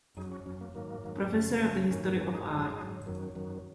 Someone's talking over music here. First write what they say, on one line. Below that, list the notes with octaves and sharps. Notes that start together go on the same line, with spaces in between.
Professor of the History of Art.
F#2 F#3 D#4 G#4
C#4 F#4
F#2 F#3 C#4
A#3
G#2 D#3 F#3 A#3
G#2 D#3 F#3
F#2 C#3 F#3
F#2 C#3 F#3
G#2 D#3 F#3 C#4
G#2 D#3 F#3 C#4
D#4 G#4
G#2 F#3 D#4 G#4
G#2 F#3
F#2 D#3 F#3
F#2 D#3 F#3